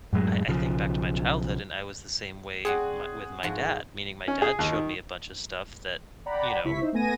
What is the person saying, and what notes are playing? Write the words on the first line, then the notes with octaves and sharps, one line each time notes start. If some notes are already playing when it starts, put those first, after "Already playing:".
I I think back to my childhood, and I was the same way my with my dad, meaning my dad showed me a bunch of stuff that, you know
F#2 A2 F#3 G#3
B1 C#3 F3
C4 F#4 G#4 D5 F#5
G#2 F3 F#4
C#4
G#4
D#2
D#3
D5 F#5 G5 A#5 B5
C#2 C3 E4 C#6 B6
D#4 C5 E5
A3 B3 G#5 A#6 D#7